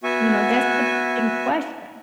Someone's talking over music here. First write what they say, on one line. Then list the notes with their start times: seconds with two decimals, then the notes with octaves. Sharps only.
You know, that's the big question.
0.04 B3 F#4 E5 G#5 C#6